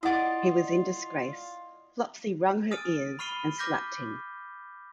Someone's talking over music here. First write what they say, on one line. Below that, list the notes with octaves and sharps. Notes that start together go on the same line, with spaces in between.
He was in disgrace; Flopsy wrung her ears, and slapped him.
E4 F4 D5 D#5 F#5
G#5 D#6 F6 A6 D7 D#7
B5 C#6 F6 C7 D#7 G7
D6 F6 G6 A#6 B6